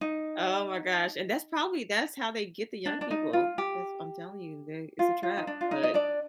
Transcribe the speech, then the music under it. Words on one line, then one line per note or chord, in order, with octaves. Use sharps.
Oh, my gosh, and that's probably that's how they get the young people. That's I'm telling you, they it's a trap, but
D#4
D4
D4
D#4
F4
G4
F4
F4
D#4
D4
F4
D#4
D#5
D4 D5